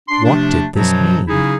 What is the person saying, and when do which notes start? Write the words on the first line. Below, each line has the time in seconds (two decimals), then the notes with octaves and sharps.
What did this mean?
0.09 D4 C6
0.25 C3 F3 A3 D4
0.75 F#2 B2 F3 F#3
1.27 C#3 F#3 C#4 D#4 E4 G#4